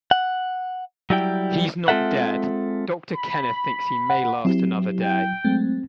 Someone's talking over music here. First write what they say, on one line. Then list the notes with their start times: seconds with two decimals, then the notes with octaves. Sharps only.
He’s not dead; Doctor Kenneth thinks he may last another day.
0.11 F#5
1.10 F#3 G3 E4 G5
1.88 G#3 C4 F4 A4 E5 F#5
3.15 B5
4.10 F#5
4.45 F#3 C4 E4 G4
5.02 G5
5.45 F#3 G#3 A3 C4